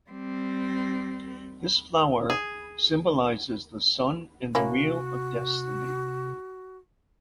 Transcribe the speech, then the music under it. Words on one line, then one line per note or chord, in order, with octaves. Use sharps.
This flower symbolizes the sun and the wheel of destiny.
G3 C4
G#4
C3 A#3 C#4 E4 F#4